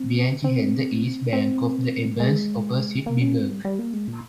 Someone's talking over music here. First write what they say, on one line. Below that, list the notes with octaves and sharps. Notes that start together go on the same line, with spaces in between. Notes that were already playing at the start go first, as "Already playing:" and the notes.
Bianchi held the east bank of the Abens opposite Biburg.
Already playing: C4
C4
C4
G#3
A#3
C#4
C4
G3
G3
A#3
G#3
A#2